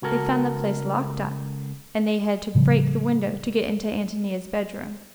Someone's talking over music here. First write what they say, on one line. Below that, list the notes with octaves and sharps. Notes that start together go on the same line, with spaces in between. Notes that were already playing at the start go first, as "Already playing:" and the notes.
They found the place locked up, and they had to break the window to get into Antonia's bedroom.
C#2 F#4 A4 A#4
A2 C#3 F3 G3